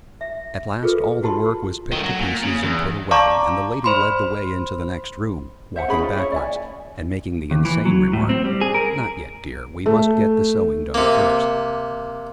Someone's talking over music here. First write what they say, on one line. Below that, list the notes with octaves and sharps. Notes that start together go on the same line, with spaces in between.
At last all the work was picked to pieces and put away, and the lady led the way into the next room, walking backwards, and making the insane remark "Not yet, dear: we must get the sewing done first."
E5
F4 G#4 A4 B4
E4 F#4 G4 A5 B5 C6
D#3 A3
F#3
A#2
C#3
E2
D5 F5 A5 A#5 C#6 D6
C5 B5 C6
C5 E5 F#5
C#4 G#4 B4 B5
D#4 F4
C#4 E4 C#5
D5 E5 G#5
D#2
E3
F#3
A2
C4
G3
G#4
A#4
A3
C3 A#3